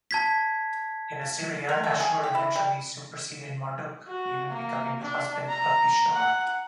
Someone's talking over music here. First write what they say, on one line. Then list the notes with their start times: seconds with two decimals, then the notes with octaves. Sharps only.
In Assyria, Ashur eventually superseded Marduk, even becoming the husband of Ishtar.
0.11 A5 G#6 B6
1.69 A#4
1.83 A3
2.00 G#4
2.23 G4
2.35 E4
2.56 G3
4.08 F#4
4.50 A#3
5.02 D4
5.48 A#5
6.14 F#5